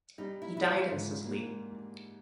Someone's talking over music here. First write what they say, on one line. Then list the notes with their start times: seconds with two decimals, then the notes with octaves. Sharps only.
He died in Sicily.
0.18 G3 D#4
0.42 E4
0.54 E3 E4
0.66 F4
0.90 G#2
1.25 A#3